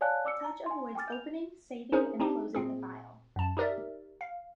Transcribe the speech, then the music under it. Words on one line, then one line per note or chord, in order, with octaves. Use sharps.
Touch avoids opening, saving, and closing the file.
C#5 D5 F5 G#5 A5 F#6
D5 D6 E6 C#7
A#5
G#5 C6
G5 G#5 D6 F6 A6
G6 F7
C#4 D#4 G#4 A#4 C5
C4 D4 D#4 G4
A#2 C4 G#4
F#2 A5
D#4 G4 A#4 D5 E5
F5